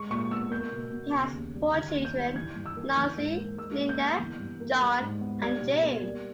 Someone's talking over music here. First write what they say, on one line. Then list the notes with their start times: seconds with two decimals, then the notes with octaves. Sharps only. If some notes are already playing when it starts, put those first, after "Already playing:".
He has four children; Nancy, Linda, John, and James.
Already playing: G#3 C#6
0.10 A#2 C#6
0.31 B3 E6
0.51 A#3 G6
0.72 B2
0.92 B2
1.12 C#3
1.32 D#2
1.54 G3
1.74 D#3 G#6
1.95 D#2
2.05 G6
2.15 G3
2.35 E3 G#6
2.56 G2
2.66 E6
2.76 A#3
2.96 E3 G6
3.17 G#2
3.37 A#3
3.57 G#3 E6
3.78 A#2
3.89 G6
3.99 B3
4.19 E3
4.40 G2
4.60 A#3
4.80 G3
5.00 G#2
5.21 B3
5.41 G3 G#6
5.62 B2
5.82 A#3
6.03 G3